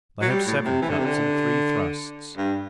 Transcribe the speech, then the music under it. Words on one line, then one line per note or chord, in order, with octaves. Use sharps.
They have seven cuts and three thrusts.
F#3
G3
A2
C3
E3
D3
C3
D3
G2